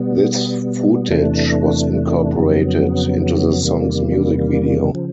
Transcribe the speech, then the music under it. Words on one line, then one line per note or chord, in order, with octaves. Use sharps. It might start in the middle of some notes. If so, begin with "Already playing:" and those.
This footage was incorporated into the song's music video.
Already playing: B2 G3 B3
E2 C3 E3 A3 D4
F2 C#3 F#3 B3
E2 C3 D#3 G3 A#3
C#3 F3